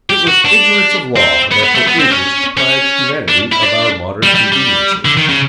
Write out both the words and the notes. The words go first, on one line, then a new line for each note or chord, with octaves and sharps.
It was ignorance of law that for ages deprived humanity of our modern conveniences.
G4
F#4
D4
C4
B3
B3
A3
B3
C4
C#4
C#4
D4
E4
D4
G3
G3
G3
D3
D#3
C#3